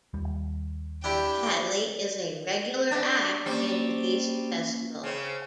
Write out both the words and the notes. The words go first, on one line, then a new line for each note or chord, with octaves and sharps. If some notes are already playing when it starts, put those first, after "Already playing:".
Hadley is a regular act in The East Festival.
D#2 G3
D4 E4 G4 G5
D4
G3 A#3 C4 C#4
C#3 C4